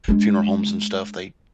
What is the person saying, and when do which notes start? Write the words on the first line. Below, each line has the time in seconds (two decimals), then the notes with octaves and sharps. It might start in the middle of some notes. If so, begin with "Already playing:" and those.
funeral homes and stuff, they
0.08 G#3 D4